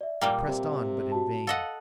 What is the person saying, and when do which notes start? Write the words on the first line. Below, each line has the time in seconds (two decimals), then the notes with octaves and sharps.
I pressed on, but in vain.
0.01 D5 E5
0.21 A#2 G3 A#3 G5 A#5
0.48 C3
1.12 F#4 A5
1.47 A4 D#5 F5 F#5